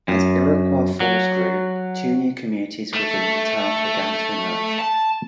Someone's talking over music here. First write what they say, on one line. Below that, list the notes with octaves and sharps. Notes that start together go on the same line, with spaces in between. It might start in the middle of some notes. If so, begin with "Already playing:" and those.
As Iroquois Falls grew, two new communities within the town began to emerge.
F#2
F#3
A3
A5